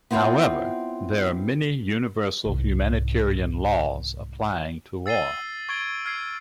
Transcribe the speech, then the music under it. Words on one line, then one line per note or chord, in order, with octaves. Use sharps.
However, there are many universal humanitarian laws applying to war.
B3 C4 E4 F4 C#5
C2 G#2
E6 A6 C7 D#7 G7
C#6 G#6 D7 G7
F6 G#6 C7